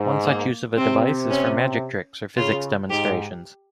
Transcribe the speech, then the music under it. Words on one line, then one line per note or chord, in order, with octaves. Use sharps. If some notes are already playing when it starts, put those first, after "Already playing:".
One use of such a device is for magic tricks or physics demonstrations.
Already playing: G#2
A#3
C3 C4
C#4
C#3 F4
G#2 G4